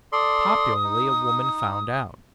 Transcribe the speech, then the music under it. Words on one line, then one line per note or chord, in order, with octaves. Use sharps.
Popularly, a woman found out.
A4 D5 C6 D#6
D#4